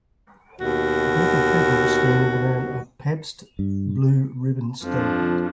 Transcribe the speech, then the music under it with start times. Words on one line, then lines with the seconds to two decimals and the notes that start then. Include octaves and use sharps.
A group of people standing around a pabst blue ribbon stand.
0.60 D#2 B2 F#4
3.59 G2
4.84 F2 F3 D4